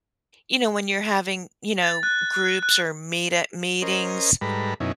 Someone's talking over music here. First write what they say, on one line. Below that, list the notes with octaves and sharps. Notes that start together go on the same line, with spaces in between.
you know, when you're having, you know, groups or meet at meetings
A6
F#6
F#6
F#6
C#4 A#4 C5 D#5
G#2 G3 A4 B4 A#5 B5
F#2 B2 C#4 D#4 E4